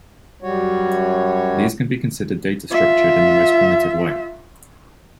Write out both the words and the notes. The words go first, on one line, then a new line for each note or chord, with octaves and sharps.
These can be considered data-structured, in the most primitive way.
F#2 G3 F#4 C#5
F4 E5